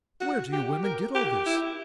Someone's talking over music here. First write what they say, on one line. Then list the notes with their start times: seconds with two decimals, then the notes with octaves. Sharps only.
Where do you women get all this?
0.21 F#4
0.53 G4
0.83 A#4
1.15 G4
1.46 E4